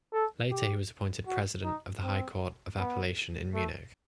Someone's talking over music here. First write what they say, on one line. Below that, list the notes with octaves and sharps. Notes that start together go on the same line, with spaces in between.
Later he was appointed president of the High Court of Appellation in Munich.
A4
G4
F#4
D#4
C4
B3
A3